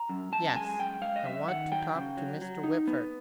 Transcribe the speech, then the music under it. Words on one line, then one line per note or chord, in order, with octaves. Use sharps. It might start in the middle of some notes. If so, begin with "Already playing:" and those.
"Yes, I want to talk to Mr. Whitford."
Already playing: A#5
F#2
F#2 A5
A5
G#3 G#5
F#2 G5
G#3 F5
D#5
F#2 E5
D#3 F#5
F#3 G5
C#3
F#3
F#3
D#4
B3